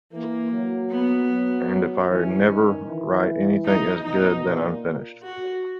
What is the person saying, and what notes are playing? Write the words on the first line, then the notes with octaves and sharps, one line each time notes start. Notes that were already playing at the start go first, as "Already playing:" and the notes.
And if I never write anything as good, then I'm finished.
E3 A#3
F#3
B3
F#3
E3 C#4
D#3
E3
D#4
B2 D#4
A#2
F#4